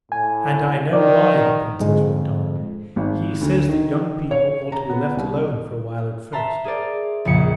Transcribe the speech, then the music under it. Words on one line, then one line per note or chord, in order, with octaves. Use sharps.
"And I know why," the princess went on; "he says that young people ought to be left alone for a while at first."
A2 G#5
D#3 D5
F2 G#2 D3 G#3
G#1
D2
D#3
C#5
A#5
B3
C2
E5 A5 A#5 C6
G#4 A#4 C5 D5
A#1 F2 C#3 C#7